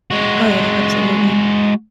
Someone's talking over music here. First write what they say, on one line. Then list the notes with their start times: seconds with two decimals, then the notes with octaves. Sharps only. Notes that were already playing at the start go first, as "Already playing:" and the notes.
Oh, yeah, absolutely.
0.11 G#3 F#4